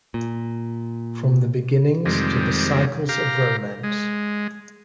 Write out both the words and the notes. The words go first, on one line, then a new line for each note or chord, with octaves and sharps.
From the Beginnings to the Cycles of Romance.
A#2
F2 C3 D#3 G3 G#3
G4 F5 A#5
G#3